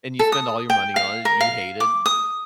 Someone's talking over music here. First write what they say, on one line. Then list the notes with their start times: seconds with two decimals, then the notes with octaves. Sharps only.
And you spend all your money on it. You hate it.
0.19 A4
0.32 D#6
0.70 G5
0.96 F5
1.25 A#4
1.41 F5
1.80 D6
2.06 D#6